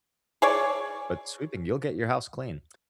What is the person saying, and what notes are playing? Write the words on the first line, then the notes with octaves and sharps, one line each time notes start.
But sweeping, you'll get your house clean.
G#4 C#5 D5